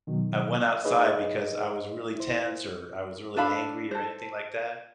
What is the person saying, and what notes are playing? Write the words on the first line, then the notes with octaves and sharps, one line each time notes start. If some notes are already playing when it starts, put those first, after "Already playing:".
I went outside because I was really tense," or, "I was really angry," or anything like that?
B2 D#3 F#3
D#4 G#4 B4 C#5 D#5
E4 C5
D4 A4 F5 B5
A4 C5